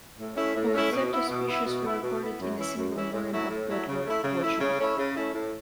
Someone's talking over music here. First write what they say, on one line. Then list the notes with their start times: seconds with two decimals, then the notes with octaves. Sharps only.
Over thirty species were recorded in a single morning of bird watching.
0.18 A2
0.36 A3 C#4 E4
0.55 A2
0.73 A3 C#4 E4
0.92 B2
1.11 B3 E4
1.28 B2
1.47 B3 E4
1.65 B2
1.84 B3 E4
2.02 B2
2.20 B3 E4
2.40 F#2
2.57 E3 C#4 E4
2.76 F#2
2.94 E3 C#4 E4
3.12 A2
3.31 F#3 A3 E4
3.49 A2
3.68 F#3 A3 E4
3.87 C#3
4.05 A3 E4
4.23 C#3
4.42 A3 E4
4.60 C#3
4.78 A3 C#4 E4
4.97 C#3
5.16 A3 C#4 E4
5.33 A2